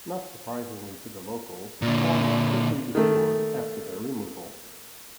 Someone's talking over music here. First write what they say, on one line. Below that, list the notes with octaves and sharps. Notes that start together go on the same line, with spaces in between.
Not surprisingly to the locals, calm was quickly restored after their removal.
A#2 D3
D#3 A3